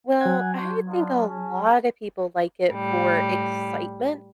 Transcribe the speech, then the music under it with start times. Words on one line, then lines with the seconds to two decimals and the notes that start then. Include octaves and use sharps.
Well, I think a lot of people like it for excitement
0.21 F#3 F#5 G#5 G#6
0.54 D4 F#4 C5
0.87 B3 D4 F4
1.27 C#4 G#4 A5
2.70 A2 G3